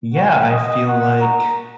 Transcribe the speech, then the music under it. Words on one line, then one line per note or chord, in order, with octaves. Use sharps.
Yeah, I feel like
G#3 F#4 F#5
G#3 F#4 D#5
G#3 D#4 F#4 F#5
G#3 D#4 F#4 A#5